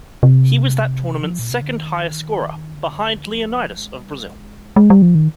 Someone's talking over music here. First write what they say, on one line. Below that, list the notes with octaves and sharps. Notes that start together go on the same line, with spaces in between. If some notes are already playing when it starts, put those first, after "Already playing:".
He was that tournament's second-highest scorer, behind Leonidas of Brazil.
C3
F3
A#2
C3
D3
D#3
D3
F3
G#3
G3
G#3
G#3
G3
F3
D#3